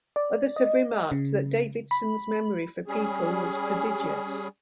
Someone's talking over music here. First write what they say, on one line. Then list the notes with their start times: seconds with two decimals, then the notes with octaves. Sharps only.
Others have remarked that Davidson's memory for people was prodigious.
0.16 D5
0.56 D#5
1.11 C#3
1.91 B5
2.86 G3 C#4 G#4